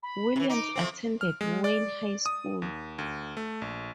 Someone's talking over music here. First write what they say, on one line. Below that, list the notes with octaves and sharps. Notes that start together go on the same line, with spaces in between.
Williams attended Wayne High School.
B5
C3 E3
D#4 D6
F3 A3 C4
F6
G#3
D5
D#6
D#2
D2
A3
A#1